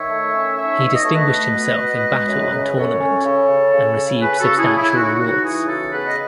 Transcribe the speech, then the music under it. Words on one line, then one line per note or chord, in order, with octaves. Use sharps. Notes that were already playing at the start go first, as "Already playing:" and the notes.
He distinguished himself in battle and tournament, and received substantial rewards.
Already playing: D#3 C#5 E5
A3
C#4
D#4 C#5 E5
B2
D#5
A3 C#5
B4 D#5
A3
B2
B2
G#3
F#2
C#3
F#2 A4 C#5
C#4
C#3
C#3
C#3
C#3
C#3 G#4 B4
F#4 A4
C#3
E4 G#4
C#3
E4
D#4 F#4
D#4 F#4
E3 E4 G#4
C#3 F#4 A4
B3 G#4 B4
D#5